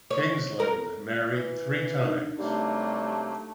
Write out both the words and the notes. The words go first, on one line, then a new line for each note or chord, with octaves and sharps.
Kingsland married three times.
C#5
A#4
E3
D4 D#4 A#4
C3 F#3 G3 A3 A#3 G4